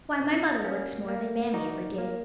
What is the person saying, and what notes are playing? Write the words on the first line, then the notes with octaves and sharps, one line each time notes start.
Why, my mother works more than Mammy ever did.
B2
G3 A#3 C#4 F#4
A#3
D#4 F#4 A#4 D5
A#3